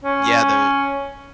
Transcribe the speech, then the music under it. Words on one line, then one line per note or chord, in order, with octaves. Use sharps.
yeah, the
C#4